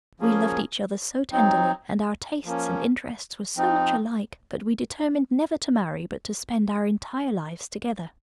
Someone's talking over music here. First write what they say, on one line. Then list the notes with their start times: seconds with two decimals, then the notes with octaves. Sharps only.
We loved each other so tenderly, and our tastes and interests were so much alike that we determined never to marry, but to spend our entire lives together.
0.20 F3 A#3 C#4 G#4
1.32 F#3 C4 D#4
2.45 F3 A#3 C#4
3.57 F3 C4 D#4